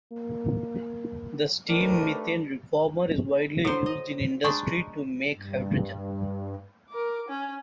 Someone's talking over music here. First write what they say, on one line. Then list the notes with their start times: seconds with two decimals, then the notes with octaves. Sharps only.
The steam methane reformer is widely used in industry to make hydrogen.
0.13 A#3
1.69 D#3 A3 C4 D4 G4 A#4 B4
3.65 F#3 E4 A4 C5
3.86 D#5
4.44 G#3 D4 D#4 C#6
5.32 G2
6.89 A#4 D6
7.28 C#4